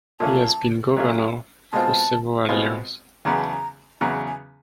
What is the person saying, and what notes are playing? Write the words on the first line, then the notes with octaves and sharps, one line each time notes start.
He has been governor for several years.
A#2 F#3 A3 C#4 F4 A5
A#2 F#3 A3 C#4 F4
B2 G#3 C4 F4 A5
B2 G#3 C4 F4
E2 C#3 F#3 B3 A#5
A5
A#5
E2 C#3 F#3 B3 A#5
G#5